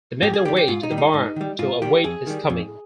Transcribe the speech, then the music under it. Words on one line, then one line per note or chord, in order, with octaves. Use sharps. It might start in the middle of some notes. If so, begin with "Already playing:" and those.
They made their way to the barn to await his coming.
G#2 G4
G#4
D#3 G3 G4
G4
G#2 F4
D#4
D#3 G3
D#4
G#2
D#3 G3
G#2 F4
D#3 G3 G4
F2 G#4
D#3 G3
F2